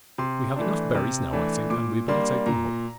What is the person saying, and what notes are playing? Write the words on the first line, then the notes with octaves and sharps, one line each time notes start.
We have enough berries now, I think, and we had better take them home.
C3 C6
E3 A3 D4
C3
E3 A3 D4
A#2 D6
G3 A#3 D4 C6
A#2 A#5